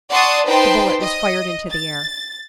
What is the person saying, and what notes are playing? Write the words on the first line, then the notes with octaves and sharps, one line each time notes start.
The bullet was fired into the air.
D5 F#5 A5 C6 C#6 D#6
D#4 B4 C5 G5 A5 C6
D#5
A6